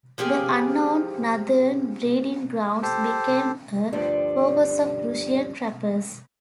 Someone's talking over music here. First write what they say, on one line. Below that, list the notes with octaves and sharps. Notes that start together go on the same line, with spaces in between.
The unknown northern breeding grounds became a focus of Russian trappers.
F3 A#3 G4 G#4
G4 A4 C5
D2 G2 F3 G3 D4